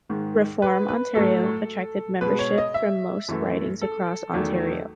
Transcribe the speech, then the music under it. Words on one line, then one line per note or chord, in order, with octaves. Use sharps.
Reform Ontario attracted membership from most ridings across Ontario.
G#2 D#3 G#3
B4
B4
A2 F#3 A3 A4
B2 G#3 B4
C#5
D#5
E5
F#2 E3 A3
A4
E2 D#3 F#3 A3